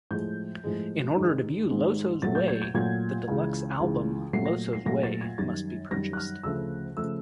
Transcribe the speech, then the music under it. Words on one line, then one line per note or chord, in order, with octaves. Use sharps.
In order to view "Loso's Way", the deluxe album "Loso's Way" must be purchased.
A2 F3 G#3 G6
A2 F3 G#3
G#2 D#3 G#3
G#2 D#3 G#3
A#2 F#3 A3 A6
G6
G#6
G6
A#2 F#3 A3 G#6
C#2 C#3 E3
C#2 C#3 E3
A#2 F#3 A3 C7
A#6
C7
A#2 F#3 A3 A#6
A6
G#6
F#2 D#3 G3 A6
F#2 D#3 G3 A#6
F#6
F6
D2 C#3 F3 A3 E6
C#3 F3 A3 E6